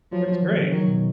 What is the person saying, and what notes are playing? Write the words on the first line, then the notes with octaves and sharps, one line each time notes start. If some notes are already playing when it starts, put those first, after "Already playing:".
That's great.
F3 F#3
F3
D#3
C#3
D#3 F#3
B2